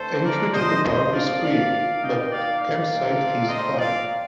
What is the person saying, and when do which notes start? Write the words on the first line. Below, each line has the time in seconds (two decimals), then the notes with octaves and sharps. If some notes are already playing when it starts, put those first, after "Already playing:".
Entry to the park is free but camp-site fees apply.
Already playing: D3 A3 C4 A4 C5
0.23 A#4 D5
0.53 A#2 A3 C4 C5 D#5
0.83 C5 D#5
1.12 D5 F5
1.41 D5 F5
1.71 D#3 A#3
2.01 D#5 G5
2.30 D5 F5
2.59 D5 F5
2.89 A#2 A3 C4
3.47 C5 D#5
3.78 D5 F5